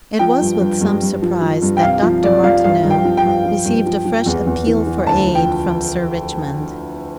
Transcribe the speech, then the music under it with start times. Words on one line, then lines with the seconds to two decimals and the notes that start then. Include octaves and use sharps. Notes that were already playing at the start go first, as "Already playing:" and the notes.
It was with some surprise that Dr. Martineau received a fresh appeal for aid from Sir Richmond.
0.19 F3 G5
0.41 G2
0.60 G2
0.81 G2
1.02 G2
1.22 F3
1.41 F3
1.62 G2
1.77 G5
1.83 C2 F5
2.02 F3
2.22 C2 D5
2.43 F3 F5
2.63 G2 F5
2.83 G2
2.90 G5
3.04 F3
3.17 G5
3.24 G2
3.45 F3
3.65 G2
3.86 F3
4.05 F3
4.26 E2
4.46 E2
4.67 E3
4.87 E3
5.07 D2 A5
5.27 F3
5.35 G5